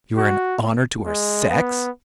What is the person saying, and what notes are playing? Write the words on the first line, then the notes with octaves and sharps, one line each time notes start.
You are an honour to our sex!'
F#4
G#3
B3